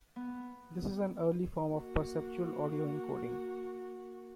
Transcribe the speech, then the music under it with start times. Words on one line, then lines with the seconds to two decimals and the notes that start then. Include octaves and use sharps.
This is an early form of perceptual audio encoding.
0.16 B3
1.72 A#3 F#4